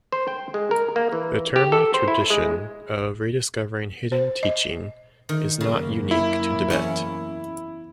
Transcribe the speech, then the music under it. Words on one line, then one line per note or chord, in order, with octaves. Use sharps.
The terma tradition of rediscovering hidden teaching is not unique to Tibet.
C5
G5
G#3
A#4
A#3
E3
G4
A4
C5
E4
G#3
C5
D#5
D#3
F#2 C#3 A#3
E4
E2 C#4 C#5